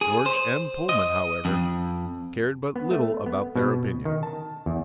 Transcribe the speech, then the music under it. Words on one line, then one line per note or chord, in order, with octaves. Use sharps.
George M. Pullman, however, cared but little about their opinion.
G#4
C5
D#5
F2
B3
A3
B3
B2
D#3
A5
E2